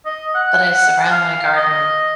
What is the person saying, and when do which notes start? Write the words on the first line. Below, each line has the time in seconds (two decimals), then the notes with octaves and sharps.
but I surround my garden
0.06 D#5
0.35 F#5
0.65 F#5
1.11 F5
1.56 D#5